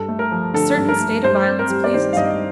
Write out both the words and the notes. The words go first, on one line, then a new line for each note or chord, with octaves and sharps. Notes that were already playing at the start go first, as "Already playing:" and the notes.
A certain state of violence pleases him.
Already playing: G2 A4
A3
A#4
F3
D3 A4
G2
A#4
A3
G2 C5
C4
A#4
G3
D5
D#3 C5
F5
G2 D#5